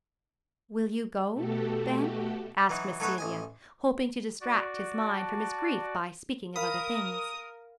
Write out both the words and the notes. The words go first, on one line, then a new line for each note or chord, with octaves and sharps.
"Will you go, Ben?" asked Miss Celia, hoping to distract his mind from his grief by speaking of other things.
B2 A3 F#4 G4 A4
E3 F#3 D#4
F#3 A3 D#4 F#4 B4 C#5
A1 D#5 G#5
F#4 D5
A5
A#4 F5 B5 D#6